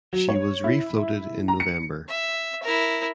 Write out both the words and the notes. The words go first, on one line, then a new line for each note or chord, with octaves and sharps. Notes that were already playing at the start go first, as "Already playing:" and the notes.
She was refloated in November.
F#3
C#5
E4
A#5
C#7
E5
E4 A#4